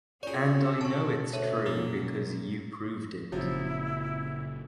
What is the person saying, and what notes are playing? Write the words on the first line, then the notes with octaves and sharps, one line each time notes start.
And I know it’s true because you proved it.
C#4 F4 F#4 G#4 A4 C#5 D5
B2 A5 C#6
D2 C#5
F#2 A#2 F#3 A#3 D#4
F#1 A#2 C#3 F3 F#3 E4